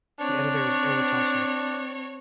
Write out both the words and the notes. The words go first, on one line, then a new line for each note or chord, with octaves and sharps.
The editor is Ewa Thompson.
C4 D4 C#5